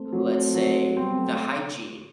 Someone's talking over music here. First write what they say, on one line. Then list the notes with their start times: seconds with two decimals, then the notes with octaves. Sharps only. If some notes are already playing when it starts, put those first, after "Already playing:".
Let's say the hygiene-
Already playing: A3 C4
0.13 F#3
0.54 F#3
0.97 G3 B3 C4
1.18 F#3 A3